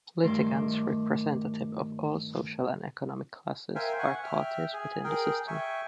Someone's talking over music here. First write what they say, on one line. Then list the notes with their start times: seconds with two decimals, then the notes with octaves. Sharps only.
Litigants representative of all social and economic classes are parties within the system.
0.23 G2 D#3 A3 C6 D6
3.75 A#4 C5 E5 F5 G5 G#5
3.99 F#5 G#5 C#6
4.24 E5 G5 F6
4.73 G#4 G#5
5.04 G#4 A#4 G5
5.48 E5 G5 G#5 C#6